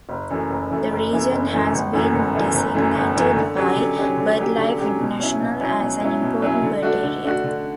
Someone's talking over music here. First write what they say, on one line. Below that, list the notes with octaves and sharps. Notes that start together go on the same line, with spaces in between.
The region has been designated by Birdlife International as an Important Bird Area.
F#1
F#2 E3 A3
F#1
F#2 E3 A3
F#1
F#2 E3 A3
F#1
F#2 E3 A3
G1
F#2 E3 A3
G1
F#2 E3 A3
G1
F#2 E3 A3
G1
F#2 E3 A3
D3
F#3 C#4 G4
D3
F#3 C#4 G4
D3
F#3 C#4 G4
D3
F#3 C#4 G4
B2
F#3 C#4 E4
B2
F#3 C#4 E4
B2
F#3 C#4 E4
B2
F#3 C#4 E4
D3
A3 D4 F#4
D3
A3 D4 F#4
D3